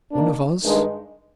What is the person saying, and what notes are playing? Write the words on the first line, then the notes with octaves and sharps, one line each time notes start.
One of us?
D#3 A#3 D4
G2 D#3 G#3